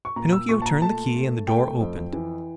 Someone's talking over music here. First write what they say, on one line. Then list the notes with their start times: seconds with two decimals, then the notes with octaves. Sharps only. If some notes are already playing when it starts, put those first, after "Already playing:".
Pinocchio turned the key and the door opened.
0.05 C#6
0.16 A#2 A#5
0.32 E6
0.49 A#2 C#6
0.62 A5
0.66 A#5
0.82 A3 A5
1.15 A3
1.47 A3 G5
1.81 F2
2.13 E3